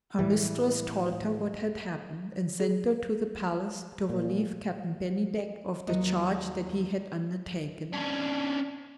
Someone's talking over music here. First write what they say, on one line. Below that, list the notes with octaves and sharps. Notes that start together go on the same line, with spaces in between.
Her mistress told her what had happened, and sent her to the Palace to relieve Captain Bennydeck of the charge that he had undertaken.
A2 E3 G3
G#4
A#2
D#2 F#3 D#5
C#4 D4